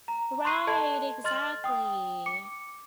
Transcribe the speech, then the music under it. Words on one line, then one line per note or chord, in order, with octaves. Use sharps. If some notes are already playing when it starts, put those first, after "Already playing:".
Right, exactly.
A#5
C6 C#6 F#6 C7 D#7
A4 D#5 A5 C6 G#6
D#5 C6 F6 A6 F#7
G5 D#6
D6 C#7